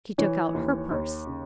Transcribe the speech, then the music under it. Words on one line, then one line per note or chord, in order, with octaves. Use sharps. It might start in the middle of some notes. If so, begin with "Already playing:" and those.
She took out her purse.
E3 C#5
D#2
D#2
C#3